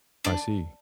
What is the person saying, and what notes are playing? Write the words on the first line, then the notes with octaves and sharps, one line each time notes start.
I see.
D4